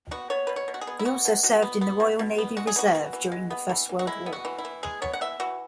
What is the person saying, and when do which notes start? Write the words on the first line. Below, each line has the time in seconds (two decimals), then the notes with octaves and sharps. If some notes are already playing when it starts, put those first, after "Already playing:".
He also served in the Royal Navy Reserve during the First World War.
0.11 B3 F#4
0.30 B3 C#5
0.47 B2 B4
0.56 C#5
0.68 B2
0.74 F#4
0.81 G#4
0.87 B3
0.99 E4
1.05 B3 F#4
1.25 B2
1.43 B2 F#4
1.62 B3
1.81 B3
2.00 B2
2.19 B2
2.38 B3
2.57 G#3 F#4
2.67 G#4
2.76 B3 F#4
2.95 E3
3.13 E3
3.32 G#3
3.50 B3
3.69 E3
3.89 E3
3.99 F#4
4.07 G#3 E4
4.26 B3
4.33 F#4
4.45 E3
4.58 E4
4.65 E3
4.83 G#3 G#4
5.02 B3 C#5
5.13 F#5
5.21 E3 E5
5.40 E3 F#4